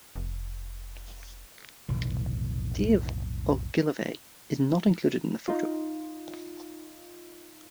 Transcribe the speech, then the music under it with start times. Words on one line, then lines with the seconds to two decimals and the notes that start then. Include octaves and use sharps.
Dave Ogilvie is not included in the photo.
0.16 F1
1.89 F1 B1 A2 D#3
5.48 D#4 F4